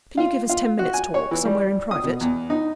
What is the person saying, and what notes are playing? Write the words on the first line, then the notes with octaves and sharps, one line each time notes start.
Can you give us ten minutes' talk, somewhere in private?
F4
F4
F#4
G#5
C#5
E3
G3
D#6
B2
E2
D#4